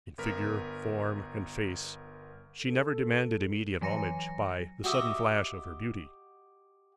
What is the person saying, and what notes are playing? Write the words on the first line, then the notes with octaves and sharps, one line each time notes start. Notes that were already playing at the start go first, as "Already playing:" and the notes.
In figure, form, and face she never demanded immediate homage by the sudden flash of her beauty.
G1 B3 A#4 B6
A4
E3 F#3 G#5 A#6 C#7
F#4 G4 D#5 E5